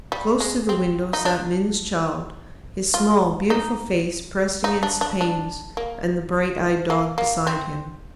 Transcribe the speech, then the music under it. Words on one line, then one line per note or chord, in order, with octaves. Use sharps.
Close to the window sat Min's child, his small, beautiful face pressed against the panes, and the bright-eyed dog beside him.
G3
G#3
C4
D#4
D4
F4
D#4
D#4
D4
D4
D4
A#3
A#3
A#3
C4